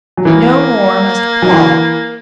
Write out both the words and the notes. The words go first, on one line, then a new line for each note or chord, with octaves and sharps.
No more must Paul.
F#3
C#3 E3 A#3
F#3
E3